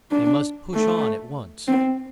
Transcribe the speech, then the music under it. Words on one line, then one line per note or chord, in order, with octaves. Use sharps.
They must push on at once.
D4
A3
C4